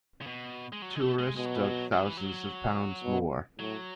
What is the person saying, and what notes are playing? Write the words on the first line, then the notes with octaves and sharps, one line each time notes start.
Tourists dug thousands of pounds more.
C#3
B2
G#3
F#3
G#3
A3
G#3
B2 G#3
F#3
E3
F#3
F#3
E3
F#3
B2
A2 F#3